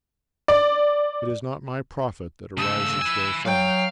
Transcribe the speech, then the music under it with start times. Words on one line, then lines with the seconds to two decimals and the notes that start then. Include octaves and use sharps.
It is not my profit that arises therefrom.'
0.48 D5
2.57 C#3 A3 E6
3.01 B4 G#5
3.45 F#3 F5 G5